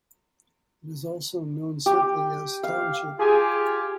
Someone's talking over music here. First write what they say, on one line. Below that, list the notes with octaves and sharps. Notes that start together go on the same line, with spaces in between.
It is also known simply as "Township".
G4
F5
F4 G4 G#4 G#5